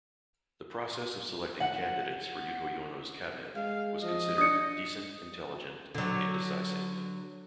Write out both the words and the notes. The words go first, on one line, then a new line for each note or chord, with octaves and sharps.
The process of selecting candidates for Yudhoyono's cabinet was considered "decent, intelligent, and indecisive".
F#5
G#3 F5
F3 D#5
D4 D#6 C#7
D3 F#3